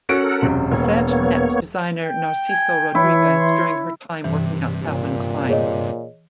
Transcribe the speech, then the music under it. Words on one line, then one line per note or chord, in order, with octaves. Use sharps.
Bessette met designer Narciso Rodriguez during her time working at Calvin Klein.
C#4 F#4 A4 A#4 F#5 D7
E1 F#2 C3
E1 A#3 B3 C#5
G5
G#5
E3 E4 C#5
C6
G2 C3 E3
A#2
G#4 C#5 D#5